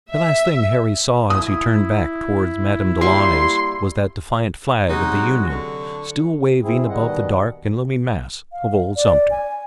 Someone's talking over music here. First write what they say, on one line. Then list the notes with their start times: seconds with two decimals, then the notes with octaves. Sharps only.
The last thing Harry saw as he turned back toward Madame Delaunay's was that defiant flag of the Union, still waving above the dark and looming mass of old Sumter.
0.10 E5
1.30 E4 D#6
3.01 G3 A#3 C6 C#6
4.89 C3 F#3 G#3 D#4 F#4
5.49 D3 C#6
6.62 C4 E4 G#4
6.89 B2 D#3 G3 D#5 F#5
8.52 F5
8.96 D5
9.31 G#5